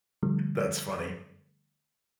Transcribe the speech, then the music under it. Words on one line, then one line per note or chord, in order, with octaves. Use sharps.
That's funny.
D3 F3 G3 A3